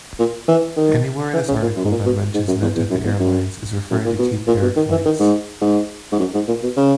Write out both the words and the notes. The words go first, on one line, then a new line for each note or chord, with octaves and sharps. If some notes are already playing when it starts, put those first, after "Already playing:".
Anywhere in this article that mentions Nantucket Airlines is referring to Cape Air flights.
A#2
E3
D#3
E3
C#3
A#2
F#2
G#2
A#2
B2
G#2
F#2
E2
E2
F#2
E2
F#2
F#2
A#2
B2
A#2
B2
D#3
E3
D#3
G#2
G#2
G#2
F#2
G#2
A#2
B2
C#3